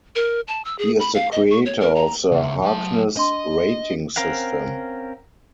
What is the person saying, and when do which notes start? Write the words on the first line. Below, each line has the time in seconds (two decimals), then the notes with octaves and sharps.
He is the creator of the Harkness rating system.
0.16 A#4
0.48 A5
0.65 E6
0.79 G#4
1.00 B5
1.15 F5
1.32 D#5
1.50 C#6
1.66 C#5
1.80 A#4
1.95 A#5
2.32 C#2 E5 F#5
2.62 F#3 A5
3.17 D4 D#5 C6
4.16 C4 C#4 A#4 F5 F#5